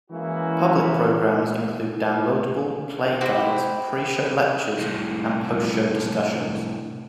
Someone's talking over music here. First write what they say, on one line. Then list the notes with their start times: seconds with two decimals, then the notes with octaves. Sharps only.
Public programs include downloadable play guides, pre-show lectures, and post-show discussions.
0.11 E3 G#3 A#3 C#4 E4 F#4
3.21 E4 F#4 G4 C5
4.79 C2 A2